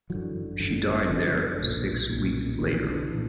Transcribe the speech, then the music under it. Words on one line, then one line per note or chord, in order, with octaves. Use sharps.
She died there six weeks later.
G1 F#2 D3 E3 F#3
G1 F#2 D3
G1 F#2 D3 F3
D#3
D3
D3
B1 A#2
B1 A#2
B1 A#2 D#3
D3 E3
A#2